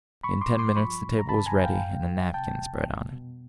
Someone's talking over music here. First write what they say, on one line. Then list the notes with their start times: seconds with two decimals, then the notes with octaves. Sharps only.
In ten minutes the table was ready and a napkin spread on it.
0.23 G2 B5 C#6
0.41 C6 D6
0.50 G2
0.59 C6 D6
0.76 F3 B5 C#6
1.03 A2
1.19 A#5
1.29 C#3 A5 B5
1.46 G#5 A#5
1.55 F2
1.64 F5 G5
1.82 G#2
2.08 F#3
2.34 C3 G5 A5
2.60 F2
2.86 B2
3.12 B2